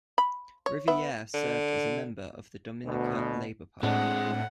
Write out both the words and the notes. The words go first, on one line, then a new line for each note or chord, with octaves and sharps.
Riviere served as a member of the Dominica Labour Party.
B5
C#5
B3 B4 E5
D3
D2 B2
A2 G#3 C4 D4 D5 F#5